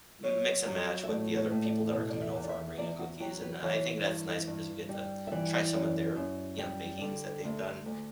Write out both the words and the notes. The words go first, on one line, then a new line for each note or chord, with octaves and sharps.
m mix and match with the other people that are coming over and bringing cookies, and I think that's nice 'cause we get to try some of their, you know, bakings that they've done.
F#3 C#5
F#3
E5
A2 D5
C#5
A2
D5
B2
D5
E5
E2
D5
E5
E2 D5
F#4
F#3 G4
B4
E3 C#5
G2
G2
G3
E5
E3 D5
F#2
F#2
G3
D3
D2
D2